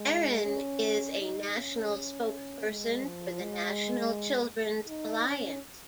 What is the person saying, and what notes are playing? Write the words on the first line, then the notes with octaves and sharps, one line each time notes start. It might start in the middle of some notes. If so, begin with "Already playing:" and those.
Erin is a national spokesperson for the National Children's Alliance.
Already playing: G#3
C#4
D#4
C#4
G#3
F3
G#3
D#4
C#4